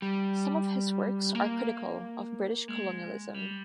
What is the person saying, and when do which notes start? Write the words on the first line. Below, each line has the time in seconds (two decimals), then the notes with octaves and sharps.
Some of his works are critical of British colonialism.
0.02 G3
1.35 A#3
2.68 G#3
3.34 G3